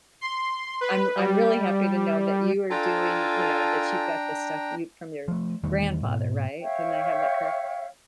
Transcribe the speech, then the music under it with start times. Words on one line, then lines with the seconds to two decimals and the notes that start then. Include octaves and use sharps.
I'm I'm really happy to know that you are doing, you know that you've got the stuff you from your grandfather, right, didn't I have that correct?
0.21 C6
0.81 B4
1.16 G3
2.70 D4 F4 A4 G5 G#5 A#5
5.28 F3 A3
5.63 E2 D#3 G3 A3
6.05 G#2 B2
6.61 C#5 E5 F5 G5